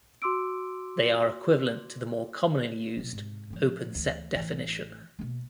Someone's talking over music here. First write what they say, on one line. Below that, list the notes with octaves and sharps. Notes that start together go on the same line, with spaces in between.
They are equivalent to the more commonly used open set definition.
F#4 C6 D6 E6 D7
B2 F#3
G#2 C3
A2 F3
D2 E3
A1 E3
B2 A#3